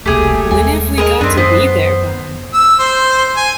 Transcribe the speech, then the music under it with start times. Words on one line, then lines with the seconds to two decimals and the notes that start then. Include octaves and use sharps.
When've we got to be there by?
0.06 E1 C2 A3 A#3 G4 G#4
0.51 D#2 G#3 G#5
0.98 G#4 A#4 B4 D#5
1.21 F#2 B3 C4 D4
1.37 F#2 B3 C5
2.54 E6
2.79 C5
3.37 G#5